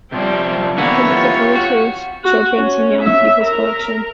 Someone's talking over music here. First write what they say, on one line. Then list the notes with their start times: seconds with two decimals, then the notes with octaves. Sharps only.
This is the publisher's children's and young people's collection.
0.12 C3 F3 G3 C4 C#4
0.78 A2 D3 E3 A#3 B3 C#5
1.12 F4 G4
1.55 F#4
2.24 F#4
2.56 C#4
3.02 E5
3.44 A#4